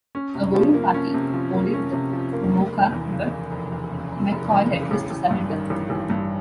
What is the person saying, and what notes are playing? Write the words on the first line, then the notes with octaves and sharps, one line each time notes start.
A boarding party boarded the "Tomoka", but McCoy refused to surrender.
C#4
C3
F3
A#3
C#4
C3
F3
A#3
C#4
C3
F3
A#3
F1
F1
E2
C#3
F1
F1
E2
C#3
F1
F1
E2
C#3
A1
A1
G2
D#3
A1
A1
G2